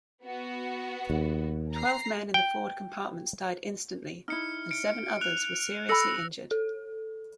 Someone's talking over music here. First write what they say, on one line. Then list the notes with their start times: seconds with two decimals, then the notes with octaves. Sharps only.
Twelve men in the forward compartments died instantly and seven others were seriously injured.
0.22 B3 F#4
1.10 D#2
1.74 A#5 C7
2.34 G5
4.28 D#4 E4 F6 C#7
4.71 C#7 D7
5.21 F#6 F7
5.89 A4 G#5 B5 E6 A#6 C#7
6.51 A4